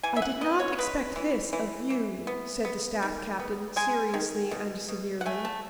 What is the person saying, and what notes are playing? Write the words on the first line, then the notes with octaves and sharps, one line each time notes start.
"I did not expect this of you," said the staff captain seriously and severely.
E3 G#5
E5
F#5
B3 D#5
C#5
G#3 B4
E3
E3
E3
B3
B3
D#3
B3
G#3 G#5
D#3
B2
B2
F#5
A3 G#5
A5